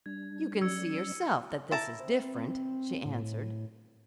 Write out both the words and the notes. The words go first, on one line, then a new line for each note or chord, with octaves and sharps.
"You can see yourself that this is different," she answered.
G3 D4 G#6
F#3 C#4 D5 E6 G#6 C#7
E4 A5 A#5
C4
A2